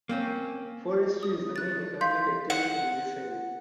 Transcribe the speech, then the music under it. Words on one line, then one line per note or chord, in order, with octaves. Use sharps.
Forestry is the main economic activity in this area.
A#3 C4 C#4
D#6
F#6 A6
F5 C6 G6 B6
F#5